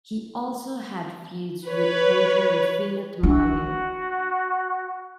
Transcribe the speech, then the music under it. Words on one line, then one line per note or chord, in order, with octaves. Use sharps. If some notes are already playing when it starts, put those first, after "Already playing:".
He also had feuds with painter Rufino Tamayo.
B4 C#5
D4 F#4